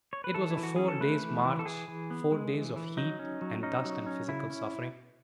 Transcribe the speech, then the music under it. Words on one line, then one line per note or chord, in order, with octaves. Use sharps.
It was a four days' march--four days of heat and dust and physical suffering.
C#5
B4
E3 A4
E4
E3
F#4
C#4 G#4
A4
A3 B4
E3
E3
A4
E3 G#4
E3
B3
G#3
E3
E3
F#3 D#4
C#4
F#3
C#4 D#4
F#3
C#4
C#3 E4
C#4